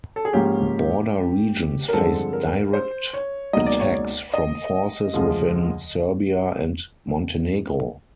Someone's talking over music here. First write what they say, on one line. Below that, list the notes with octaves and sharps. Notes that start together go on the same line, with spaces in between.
Border regions faced direct attacks from forces within Serbia and Montenegro.
A4
G#4
G#2 F3 A#3 C#4 G4
A#4
G2 D3 F3 G#3 C4 A4
A#4
C5
C#5
C#2 B2 F#3 A#3 D#4 D#5
D5
C#5
D5
D#5
D2 C#3 F3 G#3